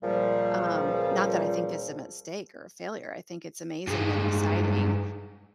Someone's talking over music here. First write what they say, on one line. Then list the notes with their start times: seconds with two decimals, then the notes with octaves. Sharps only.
Um, not that I think this a mistake or a failure, I think it's amazing and exciting.
0.02 C#2 A#2 F3 G3
3.87 G2 G#3